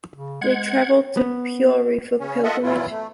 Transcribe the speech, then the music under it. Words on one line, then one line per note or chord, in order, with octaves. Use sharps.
They traveled to Puri for pilgrimage.
C#3
G#3 F#5 G#6
B3
C#3 C#4
F4 A4 D#5 E5 F#5
A#2 E3 F#3 E4 F4
A3